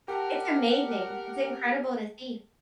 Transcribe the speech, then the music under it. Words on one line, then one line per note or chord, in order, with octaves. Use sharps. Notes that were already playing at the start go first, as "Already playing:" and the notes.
It's amazing, it's incredible to see.
G4 A#4 F#5 G5 A5